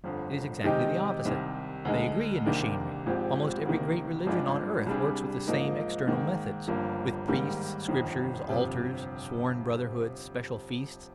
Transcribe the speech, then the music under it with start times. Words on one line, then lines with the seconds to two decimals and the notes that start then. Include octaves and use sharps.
It is exactly the opposite. They agree in machinery; almost every great religion on earth works with the same external methods, with priests, scriptures, altars, sworn brotherhoods, special feasts.
0.04 G1 F2 D3
0.64 C3 D#3 G#3 D#4 G4
1.25 C2 C3 D#3
1.85 D2 D3 G#3 D#4
2.45 C2 C3 D#3 A#3 D4
3.06 G#1 G#2 F3 C4 G4
3.66 D2 C3 D#3 A#3
4.27 G#1 G2 F3 G#3 D4
4.86 C2 C3 G3 D4 G#4
5.47 G#2 F3 A#3 D#4
6.07 G#2 D#3 A#3
6.67 G1 G2 F3 A#3
7.28 G#2 D#3 G3 A#3
7.88 G1 F2 D#3
8.49 G1 F2 C3